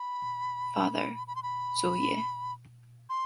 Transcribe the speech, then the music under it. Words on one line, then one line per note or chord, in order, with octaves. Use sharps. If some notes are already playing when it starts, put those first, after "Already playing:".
Father — Zhou Yue.
Already playing: B5
B5
C6
B5
C6